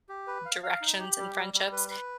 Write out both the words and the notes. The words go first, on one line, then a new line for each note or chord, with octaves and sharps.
directions and friendships,
G4
B4
F5
F5
D#4
G4
G3
G3
G3
B4
B4